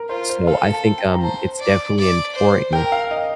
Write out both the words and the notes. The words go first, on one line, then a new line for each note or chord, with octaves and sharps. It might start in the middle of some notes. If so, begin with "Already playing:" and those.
So I think, um, it's definitely important
Already playing: A#4
F4 C5
C5
A4 F5
A5
G5
A#5
C5 A5
D5
D5
C5
A#4 G5
F5
D#5